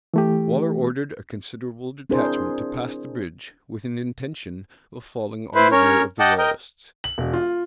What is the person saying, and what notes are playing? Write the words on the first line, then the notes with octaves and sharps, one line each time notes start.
Waller ordered a considerable detachment to pass the bridge, with an intention of falling on the rear of the royalists.
E3 A3 G4
C4 D4 E4 G#4 A#4 C5
E4 B4 C5
C#4 A#4 C#5
D#5 F#5 G5 A5 D6
A#4 D#5 G5
F#7
E1
F4